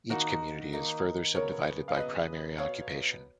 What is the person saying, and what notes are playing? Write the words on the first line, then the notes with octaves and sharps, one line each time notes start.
Each community is further subdivided by primary occupation.
D#3 A#3 D#4 F#4 A#4
D#3 A#3 D#4
C#3 F#3 B3 A#4 C#5
F5
C#3 F#3 B3 B4 D#5
B2 F#3 B3 C#5 F5